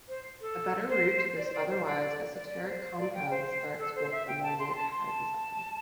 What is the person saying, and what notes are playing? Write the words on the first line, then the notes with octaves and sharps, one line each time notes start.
A better route to this otherwise esoteric compound starts with the maleic hydrazide.
C5
A4
C5
D5
C5
D5
C5
D5
D5
D5
C5
C5
D5
G5
C5
A4
C5
E5
G5
A5
C6
C6
A5
C6
A5